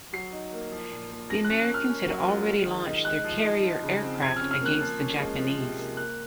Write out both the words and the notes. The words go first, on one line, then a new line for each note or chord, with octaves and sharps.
The Americans had already launched their carrier aircraft against the Japanese.
F#3 C7
D#4
A#3
F3
A#2
A#3
F3 A#6
C#4 F#6
F#6
A#3
F6
C#4
F#3
F4
G#3
D#3
D#4
G#3 F#6
F3
D#4
F3
C#3
C4
F3 G#6
C#4 F6
F6
A#3 F#6
F3
C#4
G#3
F3
C3
A#3
A#3 F#6